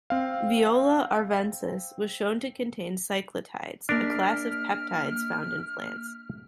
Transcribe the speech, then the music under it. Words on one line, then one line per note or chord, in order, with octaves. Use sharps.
"Viola arvensis" was shown to contain cyclotides, a class of peptides found in plants.
C4 F5
A#3 D4 A#4 F6 B6 D7